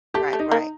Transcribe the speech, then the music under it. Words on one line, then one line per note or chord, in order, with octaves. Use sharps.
Right, right.
A3 G4
A3
D#4
A#3